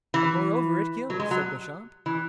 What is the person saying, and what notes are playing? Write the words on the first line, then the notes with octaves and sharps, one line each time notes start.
"And moreover, it kills," said Beauchamp.
E3
F#3
G#3
F#3
E3